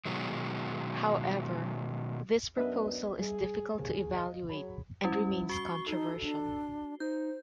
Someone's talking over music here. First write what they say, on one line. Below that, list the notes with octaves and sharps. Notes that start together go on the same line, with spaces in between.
However, this proposal is difficult to evaluate, and remains controversial.
B2 D#3 F#3 G#3
F#2 B3 D4 B4 D#5 E5
G3 G#4
D#2 G#4
D#5 F5
F#3 G#4 C#5 B5
G3 C#4 E4
F#4 C#6 C7 G7
D#4 A4
D4
D#4 C5 G6